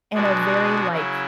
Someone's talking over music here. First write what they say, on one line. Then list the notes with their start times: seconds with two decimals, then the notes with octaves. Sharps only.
in a very, like,
0.13 B2 G#3 D4 F#4
0.88 C#3 F#3 C#4 E4